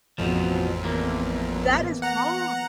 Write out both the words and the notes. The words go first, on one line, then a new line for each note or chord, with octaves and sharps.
that is wrong.
A1 F2 B2 F3
E2 A#3
F#5 A#5